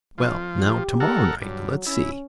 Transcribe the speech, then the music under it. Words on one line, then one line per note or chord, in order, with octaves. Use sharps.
Well, now, to-morrow night, let's see.
F2 F3
G4
A4 A#4 F#5
G2 F#3
C#4 E4